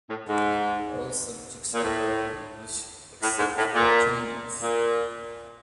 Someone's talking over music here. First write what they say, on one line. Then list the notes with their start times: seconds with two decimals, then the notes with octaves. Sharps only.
All subjects are taught in English, except for Chinese.
0.10 A2
0.28 G#2
1.75 A#2
1.84 A2
3.23 A2
3.39 G#2
3.57 A2
3.75 A#2
4.61 A#2